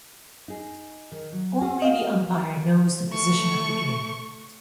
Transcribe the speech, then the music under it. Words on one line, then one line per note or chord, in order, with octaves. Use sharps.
Only the umpire knows the position of the game.
D#4 G#4
D#3
F#3
F#4 G#4
D#5 F5
A3 C#6